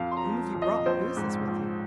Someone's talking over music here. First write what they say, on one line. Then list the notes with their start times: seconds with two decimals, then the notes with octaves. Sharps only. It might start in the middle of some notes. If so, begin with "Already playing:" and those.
Whom have you brought? Who is this with you?
Already playing: F2 F5
0.11 C6
0.17 A#5
0.24 F3
0.55 F2
0.62 D#5
0.86 A#1 C5
1.17 G#2
1.48 A#1